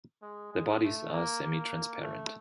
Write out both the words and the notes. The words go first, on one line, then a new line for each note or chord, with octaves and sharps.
Their bodies are semitransparent.
G#3
G#3
A3
A#3
A#3
A3